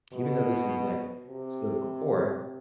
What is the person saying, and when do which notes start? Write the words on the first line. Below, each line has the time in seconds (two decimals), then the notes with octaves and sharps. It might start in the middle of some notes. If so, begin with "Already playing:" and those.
even though this is, like, sort of a poor,
0.13 B2
1.28 C3